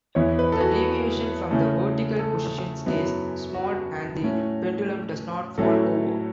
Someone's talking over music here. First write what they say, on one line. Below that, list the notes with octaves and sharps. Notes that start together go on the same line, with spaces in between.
The deviation from the vertical position stays small, and the pendulum doesn't fall over.
E2 E3 B3 E4 C#5
B4
A4
F#4
C#3 A3 C#4 E4
A4
F#2 F#3 B3 E4
F#4
A2 A3 C#4
A2 F#3 A3 C#4 E4 A4